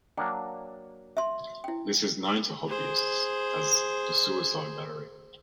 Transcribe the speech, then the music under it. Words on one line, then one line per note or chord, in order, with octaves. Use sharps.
This is known to hobbyists as the "suicide battery".
F#3 A#3 D4 G5
E5 A5 C6
E4 G5
G#4 C5